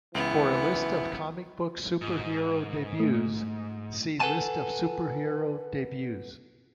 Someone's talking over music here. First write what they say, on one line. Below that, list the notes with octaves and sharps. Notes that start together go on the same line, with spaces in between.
For a list of comic book superhero debuts, see List of superhero debuts.
C#2 E3 B3
G#2
A3
A4 B4 F#5 G#5 A5